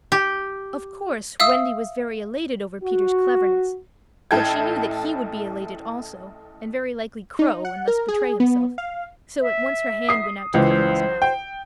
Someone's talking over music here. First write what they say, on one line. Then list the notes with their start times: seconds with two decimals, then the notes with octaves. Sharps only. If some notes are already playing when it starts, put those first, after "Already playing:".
Of course Wendy was very elated over Peter's cleverness; but she knew that he would be elated also and very likely crow and thus betray himself, so at once her hand went out to cover his mouth.
0.12 G4
1.40 E5 F5 D#6 E6
2.84 F#4
4.31 A1 E4 A4 G5 G#6
7.39 D#4
7.65 F#5
7.88 A#4
8.08 G#4
8.40 B3
8.78 F5
9.41 E5
10.09 D#6 C7
10.54 C#2 E3 C5
11.22 G5